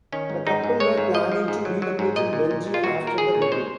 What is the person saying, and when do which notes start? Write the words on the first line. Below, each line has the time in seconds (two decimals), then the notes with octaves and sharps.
The couple were planning to relocate in Belgium after the wedding.
0.12 D#3 C#4
0.30 G#2
0.47 G#2 D#4
0.64 G#2
0.80 G#3 C#5
0.97 G#2
1.14 F3 D#5
1.32 F3
1.48 G#2
1.65 F#3
1.82 F#3
1.99 G#2
2.16 A#2 D#5
2.33 A#2
2.51 A#2
2.67 A#2
2.74 F4
2.84 A#2 F#4
3.01 A#2
3.07 A#4
3.18 G#3 G#4
3.35 A#2
3.42 C#5
3.52 G#3 C5